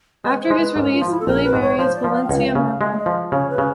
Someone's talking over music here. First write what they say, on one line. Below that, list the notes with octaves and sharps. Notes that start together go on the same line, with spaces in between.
After his release, Billy marries Valencia Merble.
G#3 B4
C5
G#3
B4
G#2 A#4
F4
F3
E4
A4
A#1 A#4
B4
G#2
C#5
F3 C5
D5
F3
F5
G5
C#2 F#5
F5
E5
C#3
F5
G#3 E5
D5
D#5
F3
C#3 C#5
B4
C#3